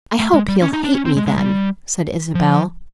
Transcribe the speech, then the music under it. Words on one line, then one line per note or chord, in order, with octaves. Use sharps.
"I hope he'll hate me then," said Isabel.
A3
G#3
G3
C#4
D#4
D4
C#4
C4
G#3
G#3
G3
F3